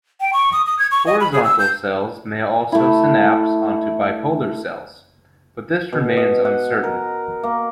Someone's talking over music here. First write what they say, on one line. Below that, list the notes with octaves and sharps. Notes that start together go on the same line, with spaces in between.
Horizontal cells may also synapse onto bipolar cells, but this remains uncertain.
G5
C#6
D#6
D#6
G#6
C#6
D#5
B5
G#4
E6
G6
A3 E4
B2
D#5
F#5
A#4
A#3